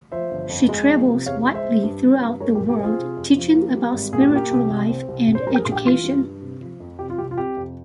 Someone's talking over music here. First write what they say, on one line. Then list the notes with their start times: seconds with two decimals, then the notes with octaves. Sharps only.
She travels widely throughout the world teaching about spiritual life and education.
0.12 F3 C5 E5
0.31 G1
0.49 F2
0.69 G#3
0.88 F3
1.07 C3
1.26 E2 C#5 F5
1.46 G#3
1.55 C5 E5
1.64 C4
1.84 G2
2.03 G2
2.22 G2
2.40 G#3 A#4 C#5
2.55 G4 A#4
2.60 A#1
2.69 G4 A#4
2.79 C4 F4 G#4
2.99 C3
3.17 F2
3.37 F3
3.55 A#3
3.75 G3
3.93 G#1
4.13 A#2 G#4
4.21 G4
4.28 F4
4.32 A#3 G4
4.51 C2
4.70 C2
4.89 C4
5.08 C2
5.27 A#1
5.35 C5
5.47 G3 A#4
5.60 G#4
5.65 A#1
5.72 G4
5.85 E3 F4
6.04 G2
6.23 G2
6.42 C3
6.61 F3
6.80 F2
6.99 C3 G4
7.10 F4
7.18 C2 G4
7.31 F4
7.38 C3 G4
7.57 F2